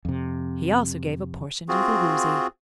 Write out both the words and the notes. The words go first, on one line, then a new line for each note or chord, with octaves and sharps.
He also gave a portion to the Woozy.
F2 C3
C4 F4 F#4 G#4